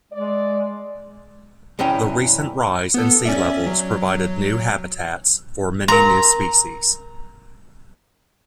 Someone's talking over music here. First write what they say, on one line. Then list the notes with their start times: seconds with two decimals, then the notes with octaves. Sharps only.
The recent rise in sea levels provided new habitats for many new species.
0.12 G#3 D5
1.79 C2 F#2 E3 C#4 G5
2.94 B3 A4
3.25 C#4 D5 E5
3.67 F#3
5.88 A#4 A#5 C6